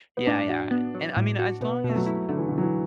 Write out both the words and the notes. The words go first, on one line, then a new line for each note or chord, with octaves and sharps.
Yeah, yeah. And, I mean, as long as
B3
A2 D4
F#4
B3
F#3
A2
F#4
B2 B3
B2
A3
F#3
E4
D3 A3
E3
B2 D3
F#3
E3